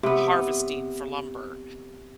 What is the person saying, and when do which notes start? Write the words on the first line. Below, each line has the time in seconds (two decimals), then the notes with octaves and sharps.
harvesting for lumber.
0.03 C3 B3